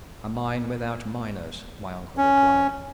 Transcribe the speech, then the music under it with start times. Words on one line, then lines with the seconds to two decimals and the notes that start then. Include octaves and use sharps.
"A mine without miners," my uncle replied.
2.17 C#4